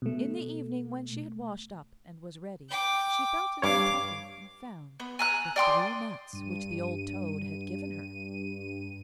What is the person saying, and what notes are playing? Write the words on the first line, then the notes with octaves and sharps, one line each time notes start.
In the evening, when she had washed up and was ready, she felt in her pocket and found the three nuts which the old toad had given her.
B2 A3
G5 D6
G2 C#5 F5 D6
B3
G#5 A#5 F#6
D5 G5 C6 D#6
G2 D#7